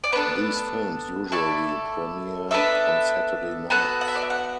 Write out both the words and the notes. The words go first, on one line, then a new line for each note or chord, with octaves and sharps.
These films usually premiere on Saturday nights.
D5
B3 D4 A4 B4
A3 E4 A4 D5
B3 D4 A4 E5
B3 F#4 A4 F#5
F#5
E5
D5
E5
F#5